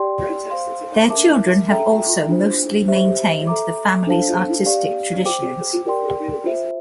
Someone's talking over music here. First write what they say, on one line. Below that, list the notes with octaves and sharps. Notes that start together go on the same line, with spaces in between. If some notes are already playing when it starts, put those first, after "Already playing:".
Their children have also mostly maintained the family's artistic traditions.
Already playing: G4 D5 G5 C6
C5 F5 C6
A#4 E5 A5 D6
A4 E5 G5 A#5
D4 F4 C5
G4 C5 E5
A4 E5 A#5 D6
D4 A4 C5 F5 A5
G4 D5 F5
C5 G5 D6
G4 A#4 D5 G5 C6
F4 C5 E5